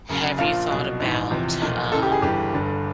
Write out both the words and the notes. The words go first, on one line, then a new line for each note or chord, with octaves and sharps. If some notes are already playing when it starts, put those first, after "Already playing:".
Have you thought about, um,
F#1 F#2 C#3
A#1 A#2 F3 F5
C2 B2 F#3
A#1 G#2 E3
E2 C3 F3
B1 A#2 F3
C#2 C#3 E3 A4
G4
G#4
G1 G2 E3 G4
G1 G2 D3